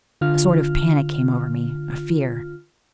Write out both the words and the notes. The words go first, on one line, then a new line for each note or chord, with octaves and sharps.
A sort of panic came over me, a fear.
D3 F4 F6